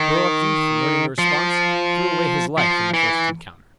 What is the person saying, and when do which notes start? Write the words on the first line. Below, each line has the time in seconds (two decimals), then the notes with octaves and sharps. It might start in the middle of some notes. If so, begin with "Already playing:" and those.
The heroic youth, learning the response, threw away his life in the first encounter.
Already playing: D#3
1.18 F3
2.58 F3
2.94 E3